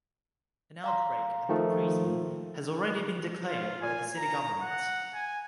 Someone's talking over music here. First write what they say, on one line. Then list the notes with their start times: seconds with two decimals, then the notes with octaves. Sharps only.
An outbreak at the prison has already been declared by the city government.
0.84 F5 A#5 C6
1.49 D#3 F3 A3
3.47 F4
3.82 G#5
4.17 A#5
4.62 F#5
5.14 G#5